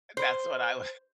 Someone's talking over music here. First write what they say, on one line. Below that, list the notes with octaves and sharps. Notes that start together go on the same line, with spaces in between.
That's what I wa
C5